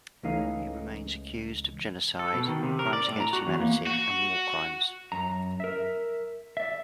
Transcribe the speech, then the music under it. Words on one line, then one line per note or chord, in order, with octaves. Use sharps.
He remains accused of genocide, crimes against humanity, and war crimes.
C#2 C#3 E3 A3 D#4 F5
A4
B2
D#3
C3
A#4
D5
A2
A#5
F#4
E2
A#3
F#4
F#2 A#5
A#4 E5
D5 E5